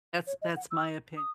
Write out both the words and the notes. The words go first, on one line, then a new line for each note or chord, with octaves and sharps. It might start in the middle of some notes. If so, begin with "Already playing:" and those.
that's that's my opin
C#5
D#5
F#5
E6
D#6